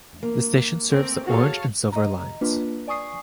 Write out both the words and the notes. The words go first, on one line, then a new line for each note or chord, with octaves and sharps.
The station serves the Orange and Silver Lines.
A#3
A3 C4 A#4
F#4 G#4 A4 C#5 F5 A5
D#5 A#5
A#3 D4 F4 B4
D5 G#5 C#6 D#6 C7